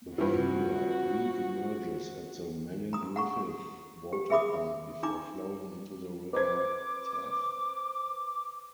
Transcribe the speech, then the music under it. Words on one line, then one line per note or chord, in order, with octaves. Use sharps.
The feeder reemerges at the Melingriffith Water Pump before flowing into the River Taff.
G2 E3 F4 F#4 C5
A#5 D#6
F#5 A#5 C#6
G4
G#4 E5 B5 D6 D#6
D4 D#4 A#5 D6
B4 C5 D6 G#6